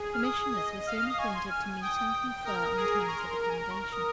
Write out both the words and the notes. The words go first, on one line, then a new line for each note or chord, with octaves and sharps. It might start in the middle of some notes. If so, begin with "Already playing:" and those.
Commissioners were soon appointed to meet and confer on terms of accommodation.
Already playing: G#4
F6
G#4 D#6
D#5
F5 F6
F6
D#6
G#5 C#6
C6
F6
G5 D#6
A#4 D#6
F6
D#6
G#4 D#6
A#4 C#6
C6
C6
A#5
G#5
A#5
C#6
F6
D#6